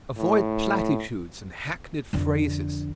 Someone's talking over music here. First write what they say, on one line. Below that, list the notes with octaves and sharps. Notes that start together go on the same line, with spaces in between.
Avoid platitudes and hackneyed phrases.
A2
F2 D3